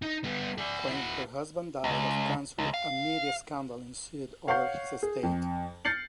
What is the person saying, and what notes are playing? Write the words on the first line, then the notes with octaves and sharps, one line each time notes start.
When her husband died of cancer, a media scandal ensued over his estate.
D#4
G3 B3
G#4 D5
E4 F#4
C#2
C#2
F5
C#5 F5 F#5 C#6 G6 C7
G#4
F2
F6 G6 A6 C7 C#7 F#7